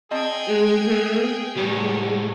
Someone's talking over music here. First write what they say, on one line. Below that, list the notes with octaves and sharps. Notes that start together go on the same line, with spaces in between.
Mhm. Mhm.
C4 G#4 D#5 G5 A5 G#6
A2 F#3 G3 G4 B4 C#5